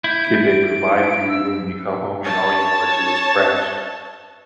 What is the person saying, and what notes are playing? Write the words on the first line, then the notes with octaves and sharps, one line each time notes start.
can they provide for you when you come home, and all you want to do is crash,
E4 G6
D7
E6
C#5 A5